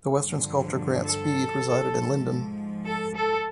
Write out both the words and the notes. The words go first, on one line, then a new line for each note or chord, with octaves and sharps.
The western sculptor Grant Speed resided in Lindon.
G2 D3 F3
A4
G#2 F3
A4
A4